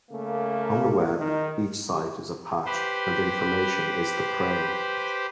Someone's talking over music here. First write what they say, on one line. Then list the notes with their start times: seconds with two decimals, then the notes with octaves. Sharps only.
On the Web, each site is a patch and information is the prey.
0.11 C#3 A3 A#3
1.18 D#3 D#4
2.66 G4 B4 C5